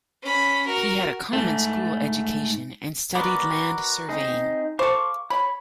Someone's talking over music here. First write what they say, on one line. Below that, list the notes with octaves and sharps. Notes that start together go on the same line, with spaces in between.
He had a common-school education, and studied land surveying.
C#4 B5
F#4 A#4
G#2 A3
B3 F#4 A#4 D5
C4 D#4 G#4
A4 C5 F5 C#6 D6
C#5 B5